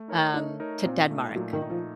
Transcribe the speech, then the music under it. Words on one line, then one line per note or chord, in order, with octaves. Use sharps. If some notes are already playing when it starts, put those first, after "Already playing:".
um, to Denmark,
Already playing: A3
D#4 A#4 C#5
A3 D#4
D#4 A#4 C#5
A#2 C4
A3 D#4
A#2 F#3
D#3
A3 D#4
F3